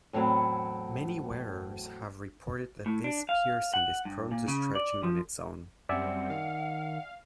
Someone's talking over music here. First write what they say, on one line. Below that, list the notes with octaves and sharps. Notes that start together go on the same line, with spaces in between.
Many wearers have reported that this piercing is prone to stretching on its own.
E2 A2 F#3 C4 F#5
A2
D4
F5
F#5
G2
A#2
C#3
D5
F3
F#2 G3 C4 D5 E5 F#5 G#5
D#3 F5